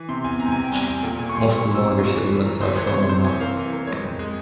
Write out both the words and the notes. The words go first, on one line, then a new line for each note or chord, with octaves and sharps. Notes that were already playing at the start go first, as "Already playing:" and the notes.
Most of the larger settlements are shown on the map.
Already playing: E3
C3 C6
E2 G#5
C3 A#5
E2 G#5
G5
G3 G#5
E2
A#2 G5
A#2 G#5
C#6
G3 C6
A#2 C#6
G3
E6
C4
F4 C#6
E3
E3
A#3 A#5
E3 C5
E3 C#5
C5
C3 C#5
C3 C5
E3 C#5
A#3 F5
E3
A#3
G#3 C#5
F2
G#3